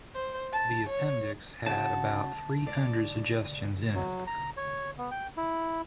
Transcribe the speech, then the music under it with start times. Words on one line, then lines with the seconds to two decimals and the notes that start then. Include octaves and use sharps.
The appendix had about three hundred suggestions in it.
0.15 C5
0.53 A5
0.89 C#5
1.66 C#3 F#4 A5
2.67 D5
3.95 F#3
4.27 A#5
4.57 C#5
4.98 B3
5.11 G5
5.37 E4